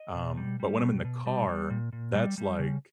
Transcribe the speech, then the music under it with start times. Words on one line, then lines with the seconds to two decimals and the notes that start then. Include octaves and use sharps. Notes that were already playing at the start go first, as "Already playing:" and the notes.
um, but when I'm in the car, that's, like
Already playing: D#5
0.15 B2
0.37 G3
0.60 G3
0.82 B2
1.05 B2
1.26 G3
1.48 G3
1.70 A#2
1.93 A#2
2.15 G3
2.38 G3
2.59 C#3